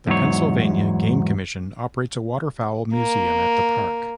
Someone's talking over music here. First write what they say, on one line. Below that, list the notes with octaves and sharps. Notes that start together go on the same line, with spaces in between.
The Pennsylvania Game Commission operates a waterfowl museum at the park.
E2 G#2 F#3 C#5
A#3